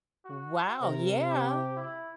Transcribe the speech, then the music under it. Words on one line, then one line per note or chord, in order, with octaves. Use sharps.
Wow, yeah!
F#4
C3 A#4
G4
E4